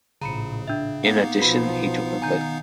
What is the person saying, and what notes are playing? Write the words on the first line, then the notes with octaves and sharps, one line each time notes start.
In addition, he took a Litt.
A#1 A2 C#3 A#5 B5 C#7
D4 E5
A#3 B3 D#4 F5
B1 F3 F#4 B4 B5
D#3 G#5 A#5 G6